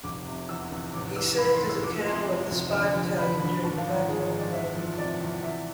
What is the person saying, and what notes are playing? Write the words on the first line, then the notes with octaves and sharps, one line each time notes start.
He served as a Colonel of the "Spy Battalion" during the Black Hawk War.
F1 D6
C3
E2 E6
F1
A1 D6
E3 E6
G#2 B5
C6
A1
E6
F3 D6
C3 C6
F2
F1
D2
F3
D3 B5
D2 B5
G#1 A5
F5
F3
G#2 G#4
G#4
G#1
D5
E2 E5
F3
C3 D5
E2
E2 E5